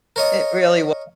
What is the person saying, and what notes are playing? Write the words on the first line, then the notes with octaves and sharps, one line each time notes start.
It really was.
A#4 C#5 D#5